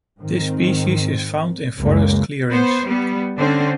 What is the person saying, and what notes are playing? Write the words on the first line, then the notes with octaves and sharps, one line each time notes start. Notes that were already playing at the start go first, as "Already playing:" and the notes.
This species is found in forest clearings.
G#2 D#3 C4
F#1 C#2 F#2 C#3 G#3 A#3
B3 C5
G3 B3
D3 C4 C#4 C5